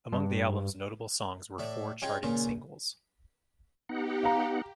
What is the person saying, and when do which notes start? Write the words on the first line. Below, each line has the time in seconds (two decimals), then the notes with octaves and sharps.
Among the album's notable songs were four charting singles.
0.12 G2
1.58 A2 D5 E5
2.02 C#4 D#4 F4 G#4 G5 G#5
2.23 A#2 C#3 C#4 F4
3.89 B3 D#4 G4 F#5
4.23 F5 A#5